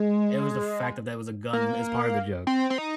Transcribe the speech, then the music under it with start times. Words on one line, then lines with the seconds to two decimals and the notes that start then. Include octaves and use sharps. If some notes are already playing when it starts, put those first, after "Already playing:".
It was the fact that there was a gun as part of the joke,
Already playing: G#3
1.53 A#3
2.47 C4
2.70 C4
2.78 D#4